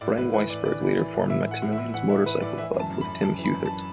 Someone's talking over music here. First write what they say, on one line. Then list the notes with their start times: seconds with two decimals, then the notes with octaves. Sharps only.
Bryan Weisberg later formed Maximillion's Motorcycle Club with Tim Huthert.
0.01 A2 D5
0.17 A2 B4
0.33 E3 B4
0.50 A2 D5
0.65 E3 D5
0.81 E3
0.98 E3
1.14 A2
1.29 A2 E5
1.46 E3
1.51 F#5
1.62 A2
1.73 E5
1.78 A2
1.94 E3 F#5
2.10 E3 E5
2.26 E3 B4
2.42 A2 D5
2.58 E3 E5
2.74 F#2
2.79 A5
2.90 F#2
3.01 B5
3.06 F#2
3.22 F#2 A5
3.39 E3
3.44 B5
3.54 F#2
3.65 A5